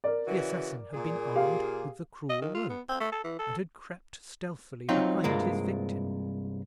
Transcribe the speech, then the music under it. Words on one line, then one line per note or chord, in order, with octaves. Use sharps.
The assassin had been armed with the cruel rope, and had crept stealthily behind his victim.
A#4 D5
C#3 E3 F#4
A#2 G#4
G4 F5
D#5
D#3
F4
B3
C4
A3
A4
E3
A4
F#3 C4 D#4 F4
C2 G2 G#3 A#3 F4